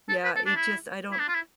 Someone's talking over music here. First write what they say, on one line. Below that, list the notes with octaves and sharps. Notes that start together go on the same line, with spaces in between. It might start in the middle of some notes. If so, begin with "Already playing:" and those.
Yeah, it just I don't
A4
B4
A4
D4
E4
E4
D4
F4
E4